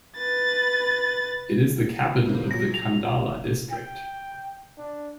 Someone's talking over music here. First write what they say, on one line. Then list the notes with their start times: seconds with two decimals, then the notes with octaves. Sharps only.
It is the capital of the Qandala District.
0.17 B4 A6
2.26 A2 C3 A#3
2.51 A#2 F#3 A#6
2.74 F7
3.71 G5
4.77 D4